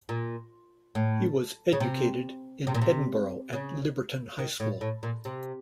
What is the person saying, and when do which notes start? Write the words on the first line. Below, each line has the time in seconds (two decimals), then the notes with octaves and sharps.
He was educated in Edinburgh at Liberton High School.
0.09 A#2
0.95 A2
1.72 C#3
1.80 C3
2.67 C3
2.74 A#2
2.82 C3
3.53 C#3
4.39 D#3
4.60 A2
4.81 A2
5.03 A#2
5.25 C3